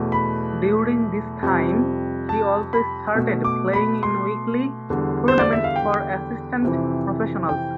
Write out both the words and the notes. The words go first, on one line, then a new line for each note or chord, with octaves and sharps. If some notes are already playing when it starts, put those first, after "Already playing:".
During this time he also started playing in weekly tournaments for assistant professionals.
Already playing: E2 B2 A3
B5
F2 C3 G3
A5
B5
B2 A3
D6
B5
C6
E2 D3 G3
C5
D5
E5
F5
G5
F2 C3 E3
G5